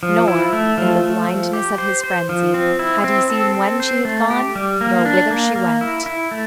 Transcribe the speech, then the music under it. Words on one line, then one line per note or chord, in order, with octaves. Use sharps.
Nor, in the blindness of his frenzy, had he seen when she had gone nor whither she went.
F3
E4
A3
F3
A3
F3
G4
C5
C5
F3
C4
E4
C4
A4
C4
C5
A3
G4
G3
A#3
D4
A#3
A#3
E4
E4
A3